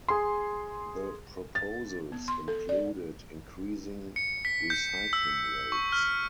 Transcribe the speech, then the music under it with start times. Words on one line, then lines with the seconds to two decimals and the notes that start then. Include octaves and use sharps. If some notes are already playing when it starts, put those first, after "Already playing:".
The proposals included increasing recycling rates.
0.08 G#4 C6
1.55 A6
2.12 B3
2.28 C6
2.48 A4
2.69 D5
4.16 C#7
4.45 B6
4.70 G6
5.13 E6
5.72 C#6
5.92 F6